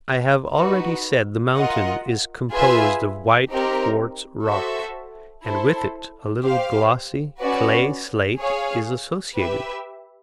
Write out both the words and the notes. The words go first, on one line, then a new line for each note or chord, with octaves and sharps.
I have already said the mountain is composed of white quartz rock, and with it a little glossy clay-slate is associated.
D#4 F#4 B4
F4 A#4 D#5 F#5
F4 G#4 B4 E5 G#5
C4 D#4 G4 A#4
F#4 A4 C5 E5
E4 A4 C5
G4 C5 F5
C#4 F#4 B4 D5
G#4 C#5 F5
G4 B4 E5